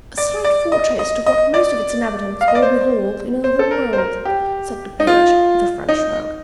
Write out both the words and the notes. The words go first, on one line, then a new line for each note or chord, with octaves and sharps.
"A slight foretaste of what most of its inhabitants will behold in another world," said the page, with a French shrug.
D5
D5
D#5
D#5
D#5
D5
F5
D#5
D5
C5
C5
A4
A#4
C5
A#4
G4
D#4
F4
D#4